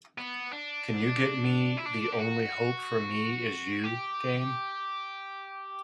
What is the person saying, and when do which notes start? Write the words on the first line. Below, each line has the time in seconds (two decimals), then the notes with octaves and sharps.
Can you get me The Only Hope for Me Is You game?
0.18 B3
0.52 D4
1.77 E4
1.85 D4
2.12 G4
2.19 F#4
3.84 G4